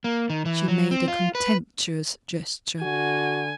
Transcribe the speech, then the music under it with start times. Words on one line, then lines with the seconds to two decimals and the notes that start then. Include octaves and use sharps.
She made a contemptuous gesture.
0.04 A#3
0.30 D#3
0.45 E3
0.68 F#3
0.91 C4
1.08 F4
1.35 B4
2.82 D3 F#4 G#5